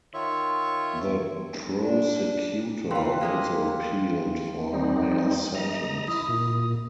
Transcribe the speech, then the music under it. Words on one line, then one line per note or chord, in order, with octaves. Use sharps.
The prosecutor also appealed for a higher sentence.
D#3 F4 C#5 E5 C#6
D4
E3 F4 F5 G5 C6
G3 G#3 A#3
G3 C4 D#4
D#5 A#5
E4 D#6
A#2